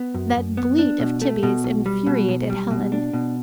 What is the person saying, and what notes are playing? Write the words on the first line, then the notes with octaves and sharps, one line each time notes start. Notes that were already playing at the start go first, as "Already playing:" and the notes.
That bleat of Tibby's infuriated Helen.
Already playing: B3
F#2
F#2
B3
D4
B2
A3
B2
B1
G3
B2
B1
G3
B2
D4
B2